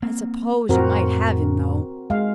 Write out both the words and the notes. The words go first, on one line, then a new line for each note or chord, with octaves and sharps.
I suppose you might have him, though.
A#3 C4
F2 A2 C4 F#4 A#4
G#3 F5